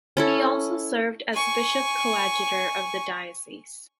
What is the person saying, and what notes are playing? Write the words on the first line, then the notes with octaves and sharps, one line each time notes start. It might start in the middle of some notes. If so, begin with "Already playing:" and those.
He also served as bishop coadjutor of the diocese.
C#4 E4 A4
G#5 C#6